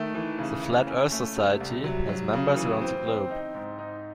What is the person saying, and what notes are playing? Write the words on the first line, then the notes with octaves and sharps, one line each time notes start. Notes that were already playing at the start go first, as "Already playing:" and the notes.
The Flat Earth Society has members around the globe.
Already playing: D#3 A3
E3
C#3
C#3
C#4
A3
C3
C2
F#3
F#3
C#3
E3
C4
C4
D#4
G#2
D#4